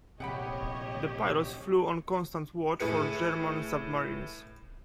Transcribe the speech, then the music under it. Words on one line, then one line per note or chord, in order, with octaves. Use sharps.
The pilots flew on constant watch for German submarines.
A#1 C3 G4 C#5 D#5 F#5 G5 B5
A2 G#4 B4 C#7